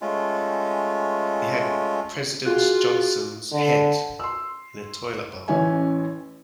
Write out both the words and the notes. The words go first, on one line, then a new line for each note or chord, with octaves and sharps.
It had President Johnson's head in a toilet bowl.
G#3 A3 C#4 F4
F4 F#4 G#4 F#6
D3
C6 E6
A1 E3 C#4 E5 G#5